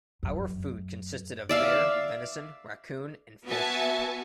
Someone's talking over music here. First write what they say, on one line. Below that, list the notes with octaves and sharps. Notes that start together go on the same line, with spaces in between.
Our food consisted of bear, venison, raccoon and fish.
F#2
D5 E5 F5
B3 F#4 E5 G#5 A5